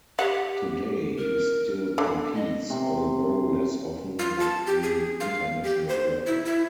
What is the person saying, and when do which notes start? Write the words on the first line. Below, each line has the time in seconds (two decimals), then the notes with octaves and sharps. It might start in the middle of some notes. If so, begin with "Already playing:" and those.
Today, he still competes although less often at the international level.
0.19 G4 F#5
1.18 A#4
1.98 D3
2.35 D#5
2.70 C3
4.19 F4
4.40 A5
4.67 G4
4.83 G#4
5.20 F5
5.63 G4
5.89 C5
6.26 E4
6.45 E4